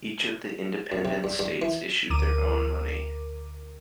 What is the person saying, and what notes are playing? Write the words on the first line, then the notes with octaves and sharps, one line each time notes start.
Each of the independent states issued their own money.
F#2
C3
G2
G2
E3
D2 A#4 D6 D#7